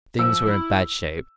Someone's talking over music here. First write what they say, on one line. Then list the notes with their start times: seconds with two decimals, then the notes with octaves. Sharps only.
Things were in bad shape.
0.19 F3 E6
0.47 E4